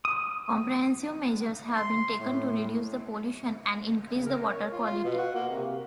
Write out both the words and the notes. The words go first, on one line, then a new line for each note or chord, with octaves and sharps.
Comprehensive measures have been taken to reduce the pollution and increase the water quality.
D#6
C6
A2
C#3
A#4
C#5
F4
F4
B2
F#4
A#3
C3